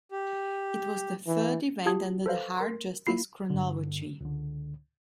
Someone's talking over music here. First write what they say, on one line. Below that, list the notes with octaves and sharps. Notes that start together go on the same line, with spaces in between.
It was the third event under the Hard Justice chronology.
G4
E3
F4 G4 A5 D#6 G#6
A4 B4 C5 F5
A#4 C6
A#3 E4 F4 B5 C7
G2 D3
C#2 D3